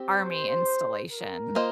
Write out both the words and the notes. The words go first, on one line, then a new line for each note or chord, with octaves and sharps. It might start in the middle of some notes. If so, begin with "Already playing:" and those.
Army installation.
Already playing: C4 G4
C5
A#4
A#3 F4 C5 D#5